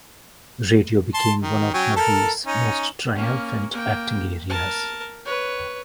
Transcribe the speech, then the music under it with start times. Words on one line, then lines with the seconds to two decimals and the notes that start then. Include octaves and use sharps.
Radio became one of Murray's most triumphant acting areas.
1.14 A5 C6
1.42 D#3
1.74 F#3 C#4 G5
1.96 A4 A#4 A5
2.46 C#4 D#4
3.15 A#3 C#4
3.71 A#3 G5
4.49 A#4 A5
5.25 B4 C#5